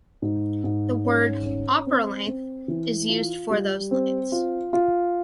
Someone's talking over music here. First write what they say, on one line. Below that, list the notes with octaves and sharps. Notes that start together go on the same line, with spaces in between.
The word "opera length" is used for those lengths.
G#2
G#2
C#4
C#4
C4
C4
E3
F4
G3
C4
F4
F4